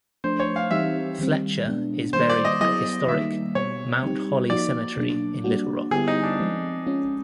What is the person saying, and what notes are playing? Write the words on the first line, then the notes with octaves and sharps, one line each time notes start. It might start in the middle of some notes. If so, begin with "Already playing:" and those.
Fletcher is buried at historic Mount Holly Cemetery in Little Rock.
F3 A3 D4 C5
C#5
F5
E3 G3 C4 D#4 G4 E5
D#3 G3 C4
B2 G#3 B3 D4
D#3 G3 A#3 C5
D5
D#5
F#3 B3 E4 G#4 D#5
D#3 G3 A#3 D#4 E5
B2 G3 B3 C#5
G3 C4 D#4 G4
F3 A#3 D#4 F#4 D5
B2 F#3 A#3 D4
G3 A#3 D4 F#4
D3 G3 B3 E4 G4 G#4
D#4
D4
F3 G#3 C4
G#3 C#4 F4